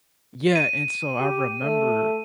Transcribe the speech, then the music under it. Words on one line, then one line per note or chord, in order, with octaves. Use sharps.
yeah, and so, I remember
D#7
G4
A3